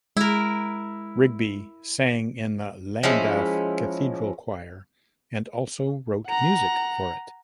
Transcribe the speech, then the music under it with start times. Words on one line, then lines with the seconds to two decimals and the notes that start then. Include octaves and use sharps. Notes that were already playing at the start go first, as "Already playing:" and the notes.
Rigby sang in the Llandaff Cathedral choir and also wrote music for it.
0.17 G#3 E4 A#4
3.03 F3 G#3 C#4 E4
6.27 F#5 A#5